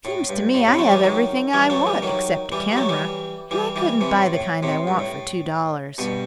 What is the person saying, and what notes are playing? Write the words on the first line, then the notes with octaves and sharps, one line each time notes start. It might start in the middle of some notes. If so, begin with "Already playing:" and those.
"Seems to me I have everything I want except a camera, and I couldn't buy the kind I want for two dollars."
A2
G2
A2
A2 C3
F#3 A3
E3 G3
D#3 F#3
E3 G3
F#3 A3
E3 G3
D#3 F#3
E3 G3
G3
F#3 A3
E3 G3
E3 G3
E3 G3
C3 E3
A2
A2
A2 C3
G2
A2
G2 B2